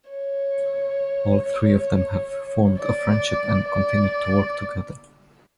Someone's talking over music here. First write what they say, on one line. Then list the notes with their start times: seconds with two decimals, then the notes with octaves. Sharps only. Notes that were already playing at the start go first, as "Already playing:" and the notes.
All three of them have formed a friendship and continued to work together.
0.10 C#5
2.79 D5
3.68 D5